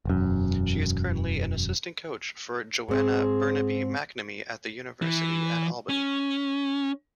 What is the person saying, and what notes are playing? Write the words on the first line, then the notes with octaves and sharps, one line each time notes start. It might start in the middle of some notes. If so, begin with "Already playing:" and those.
She is currently an assistant coach for Joanna Bernabei-MacNamee at the University at Albany.
E1 F#2
G#2 C4 G#4
E3
C#4